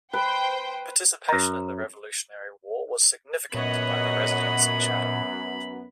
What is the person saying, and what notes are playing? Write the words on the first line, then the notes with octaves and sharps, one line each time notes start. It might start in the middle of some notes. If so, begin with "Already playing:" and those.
Participation in the Revolutionary War was significant by the residents of Chatham.
B4 C5 G5
F#2 A#5
F#2 A#2 B3 C#5 D#5 F#5 B5